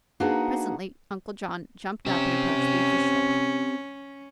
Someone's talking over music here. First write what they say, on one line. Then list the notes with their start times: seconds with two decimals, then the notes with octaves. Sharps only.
Presently Uncle John jumped up and approached the official.
0.20 A#3 D4 D#4 F#4 G#4 B4
2.06 C4 C#4 G4